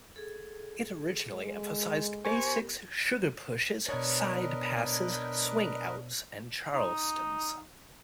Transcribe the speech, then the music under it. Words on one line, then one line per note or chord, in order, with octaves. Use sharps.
It originally emphasized basics, sugar pushes, side passes, swing outs, and Charlestons.
G#4 A4
G#3
B3 G4 A#4 C5 G#5 C#6
B2 D4 A#4 B4 C#5 D#5
D#4